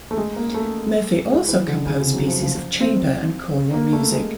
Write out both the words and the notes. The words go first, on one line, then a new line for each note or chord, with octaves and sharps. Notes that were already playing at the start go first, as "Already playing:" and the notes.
Murphy also composed pieces of chamber and choral music.
A3
G#3
A#3
A3
G#3
E3
D3
C#3
C3
F#3
F3
F3
C4
A#3
A3
G#3